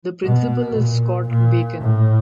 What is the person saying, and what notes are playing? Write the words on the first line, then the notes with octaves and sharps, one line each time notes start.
The principal is Scott Bacon.
B2
A#2
A#2
A2